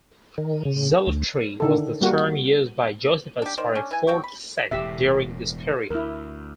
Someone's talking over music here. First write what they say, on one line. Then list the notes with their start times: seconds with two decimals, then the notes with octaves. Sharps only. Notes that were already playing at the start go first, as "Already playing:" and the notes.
Zealotry was the term used by Josephus for a "fourth sect" during this period.
0.38 D#3
0.65 C#3
1.07 D2
1.60 D3 D#3 A4
2.01 G3 A#3 F#4
3.42 D4 G4
3.58 D#3 C5 D5
3.75 C#4 D4
3.91 E3 G#5
4.07 F#3 G5 C#6
4.24 B5
4.71 E1 A2 G4 E5
5.90 D2 E4 A#4